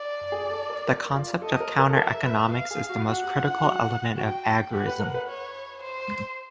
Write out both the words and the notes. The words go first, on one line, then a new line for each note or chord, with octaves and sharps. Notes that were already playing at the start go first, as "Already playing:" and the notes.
The concept of counter-economics is the most critical element of agorism.
Already playing: D5
G#4
A4
A#4
A#4
F4
A4 D#5
A#4
A#4
A4
A#4 E5
B4
F5
G#4
F#4
F#4 F#5
G4
F4
F4
F#4
F#4 G5
G4 F#5
B4
A#4
B4
C#5
C5